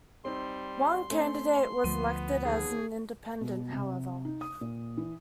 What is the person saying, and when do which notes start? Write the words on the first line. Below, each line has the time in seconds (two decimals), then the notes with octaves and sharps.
One candidate was elected as an independent however.
0.25 G3 C4 D#4 C6
1.10 A3 C4 C#4
1.84 D2 F3 A3 B3 D#7
2.45 D#2 G#4
3.41 B2
3.72 C3
4.25 D#4
4.41 D#6
4.61 A#2
4.97 E3